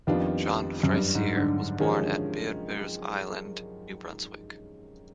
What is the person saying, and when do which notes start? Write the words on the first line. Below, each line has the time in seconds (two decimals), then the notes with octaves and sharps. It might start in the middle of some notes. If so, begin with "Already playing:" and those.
John Fraser was born at Beaubears Island, New Brunswick.
0.07 F2 D#3 G3 B3 D4 F4
0.83 F#2
0.93 G2
1.15 G#2
1.36 D3
1.58 D3
1.79 C3 D#3 F3 G#3 C#4
2.01 D3